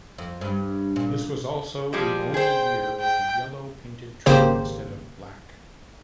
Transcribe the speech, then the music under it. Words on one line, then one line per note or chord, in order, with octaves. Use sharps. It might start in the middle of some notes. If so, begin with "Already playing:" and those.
This was also the only year with yellow painted trim instead of black.
F2
G2
A#2
F3 G3 G#3
G#4 C5 G5
G5
G#1 C#3 A#3 G4 C5